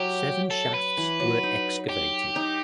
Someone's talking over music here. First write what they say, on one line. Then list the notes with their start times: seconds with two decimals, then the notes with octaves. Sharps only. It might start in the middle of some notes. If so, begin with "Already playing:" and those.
Seven shafts were excavated.
Already playing: F#3 G4
0.51 A4
0.74 B4
0.97 E3
1.20 F#3
1.43 D#4
1.89 G4
2.36 D#4